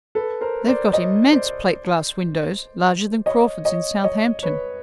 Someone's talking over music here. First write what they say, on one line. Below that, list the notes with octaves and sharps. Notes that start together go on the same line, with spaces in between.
They've got immense plate-glass windows, larger than Crawford's in Southampton.
A4 B4
A#4 C5
C5 D5
C#5 D#5
C5 D5
C#5 D#5
C#5 D#5
C#5 D#5
B4 C#5